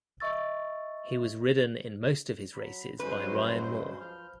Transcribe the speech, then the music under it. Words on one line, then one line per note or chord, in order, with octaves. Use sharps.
He was ridden in most of his races by Ryan Moore.
D#5 E5 C#6 E6 A6
F#3 B5
G2 F#3 G#3 C#4 B4 C5
F3 F6 G6